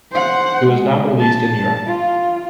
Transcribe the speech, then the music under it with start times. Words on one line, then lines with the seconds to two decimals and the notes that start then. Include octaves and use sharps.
It was not released in Europe.
0.12 C5 F#5
0.68 G#3
1.20 A5
1.87 F4